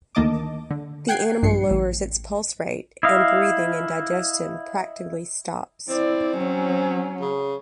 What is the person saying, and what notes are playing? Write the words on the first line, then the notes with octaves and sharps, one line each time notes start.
The animal lowers its pulse rate and breathing, and digestion practically stops.
D2 D#3 A#3 D#5 A5 D6
D3
F#5 G5 F#6 G#6 C7
A#1 G2 C7 C#7
A1
E4 D#5 F5
C4 E4 D5
F#3 C#4
C#3